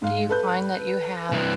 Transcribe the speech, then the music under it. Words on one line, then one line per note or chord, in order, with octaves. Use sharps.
Do you find that you have
G#2 F5
A4 B4 G6
C2 E3